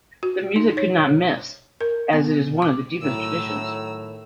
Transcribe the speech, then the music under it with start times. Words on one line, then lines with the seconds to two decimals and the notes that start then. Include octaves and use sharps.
The music could not miss as it is one of the deepest traditions.
0.23 F#4
0.56 D#4
0.77 C#5
1.81 A#4
2.13 B3
2.62 D6
3.02 A2 D#3 F#3 A#5 E6